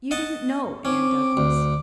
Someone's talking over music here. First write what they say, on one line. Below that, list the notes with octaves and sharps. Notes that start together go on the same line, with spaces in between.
You didn't know Anne Douglas?
D#5 F#5 A5
C4 C#4 D6
D2